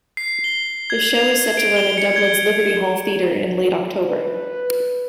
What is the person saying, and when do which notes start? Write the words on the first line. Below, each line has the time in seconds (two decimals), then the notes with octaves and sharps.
The show is set to run in Dublin's Liberty Hall Theatre in late October.
0.17 C7
0.44 G7
0.90 G#6
1.15 F7
1.57 D7
1.76 G7
1.98 C#7
2.16 G#6
4.08 B4